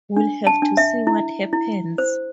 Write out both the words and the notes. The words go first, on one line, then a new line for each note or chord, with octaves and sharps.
We’ll have to see what happens.
D4
A5
D4
E5
E4
E4
C5